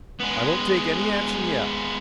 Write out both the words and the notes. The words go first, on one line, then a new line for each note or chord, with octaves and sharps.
I won't take any action yet.
G#3 B3